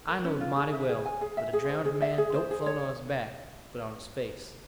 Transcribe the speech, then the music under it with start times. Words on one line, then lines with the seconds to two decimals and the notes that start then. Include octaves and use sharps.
I knowed mighty well that a drownded man don't float on his back, but on his face.
0.08 A#4
0.24 C#4
0.41 F4
0.57 G#4
0.73 E5
0.89 G#4
1.06 G#5
1.21 G#4
1.37 E5
1.53 G#4
1.69 C5
1.85 G#4
2.02 E5
2.18 G#4
2.34 C5
2.51 G#4
2.66 C#5